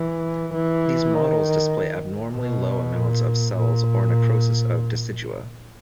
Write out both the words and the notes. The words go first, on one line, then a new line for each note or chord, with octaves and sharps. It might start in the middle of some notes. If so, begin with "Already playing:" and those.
These models display abnormally low amounts of cells or necrosis of decidua.
Already playing: E3
E3
D#3
B2
A#2
A#2